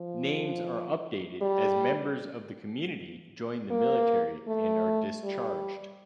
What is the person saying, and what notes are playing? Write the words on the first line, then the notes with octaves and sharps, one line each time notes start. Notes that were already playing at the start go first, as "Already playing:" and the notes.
Names are updated as members of the community join the military and are discharged.
Already playing: F3
G3
A#3
A3
G3